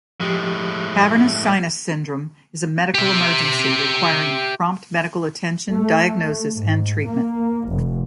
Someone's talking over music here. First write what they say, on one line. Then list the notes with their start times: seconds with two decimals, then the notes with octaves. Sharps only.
Cavernous sinus syndrome is a medical emergency, requiring prompt medical attention, diagnosis, and treatment.
0.20 A2 F3 G#3 G4
2.94 G4 E5
5.74 A3
6.54 G#2
7.05 A#3
7.68 F1